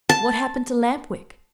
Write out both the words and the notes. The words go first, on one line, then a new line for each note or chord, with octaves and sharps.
What happened to Lamp-Wick?
A5